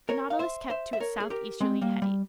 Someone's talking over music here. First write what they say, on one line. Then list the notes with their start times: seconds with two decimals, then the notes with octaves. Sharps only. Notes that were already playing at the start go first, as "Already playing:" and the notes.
The Nautilus kept to its southeasterly heading.
0.09 A#4 C#5
0.30 F5
0.39 C5 E5
0.70 C5 E5
0.93 E5
1.00 A#4 C#5
1.20 G#4
1.30 G4 A#4
1.60 G#3 C4
1.81 G3 A#3
2.02 G3